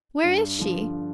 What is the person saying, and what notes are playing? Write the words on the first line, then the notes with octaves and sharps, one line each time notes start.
Where is she?...
G2
D3 F3